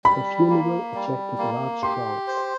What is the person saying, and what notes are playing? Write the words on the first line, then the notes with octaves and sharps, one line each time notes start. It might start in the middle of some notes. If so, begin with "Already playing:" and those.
Her funeral attracted large crowds.
G3 B5
A#3
G3
A#3
G4 C6
C5